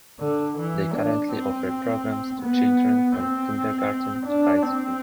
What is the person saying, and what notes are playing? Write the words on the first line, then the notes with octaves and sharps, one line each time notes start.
They currently offer programs to children from kindergarten to high school.
D3
E3
D4
C4
B3
C4
D4
C4